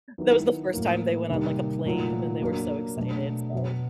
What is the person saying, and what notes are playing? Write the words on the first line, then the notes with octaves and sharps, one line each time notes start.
that was the first time they went on, like, a plane and they were so excited, so
D#3 F#3 B3 E4
A2 F#3 A#3
C3 D#3 G3 A#3
A#2 F#3 A3
F#3 A#3 D4 F#4
B2 F#3 A3 D4
B2 F#3 B3